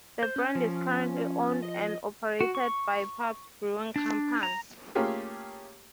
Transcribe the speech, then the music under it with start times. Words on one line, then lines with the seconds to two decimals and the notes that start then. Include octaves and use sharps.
The brand is currently owned and operated by Pabst Brewing Company.
0.23 C5 G6
0.36 C#4
0.55 F3
1.62 D#5
2.41 F#4
2.55 C#6
3.96 D4
4.43 A#5
4.95 A3 A#3 C#4 F4 G4 G#4